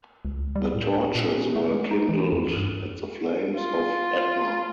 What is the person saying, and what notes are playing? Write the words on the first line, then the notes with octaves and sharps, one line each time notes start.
The torches were kindled at the flames of Etna.
C#2
G3
A2
A#2
C#4
A3
G#3
D#4
E3
F2
G2
F4